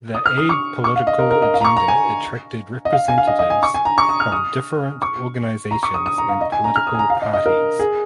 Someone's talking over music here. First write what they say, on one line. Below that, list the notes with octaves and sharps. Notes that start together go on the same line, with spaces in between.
The apolitical agenda attracted representatives from different organizations and political parties.
D#6
F6
D#6
C#6
C#6
F5
D#5
A#4
A#4
D#5
F5
A#5
C#6
A#5
G#5
D#5
F5
G#5
F5
D#5
D#5
G#5
C#6
G#5
A#5
C#6
D#6
F6
D#6
C#6
A#5
C#6
D#6
D#6
A#5
F5
D#5
G#5
A#5
F6
D#6
G#5
A#5
F5
D#5
D#5
A#4
G#4